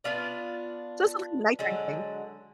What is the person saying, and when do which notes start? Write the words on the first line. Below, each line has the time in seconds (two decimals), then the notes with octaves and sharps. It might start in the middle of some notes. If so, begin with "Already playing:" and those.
Just a little nighttime thing.
0.04 B3 D4 F4 D5
1.59 D3 F#3 G#3